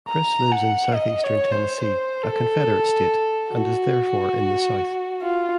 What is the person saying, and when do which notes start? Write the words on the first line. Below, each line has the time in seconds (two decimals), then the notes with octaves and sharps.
Chris lives in southeastern Tennessee, a Confederate state, and is therefore in the South.
0.10 A#5
0.52 F#5
0.95 D#5
1.23 C#5
1.52 C5
1.80 C5
2.23 A4
3.51 F#4
5.22 F4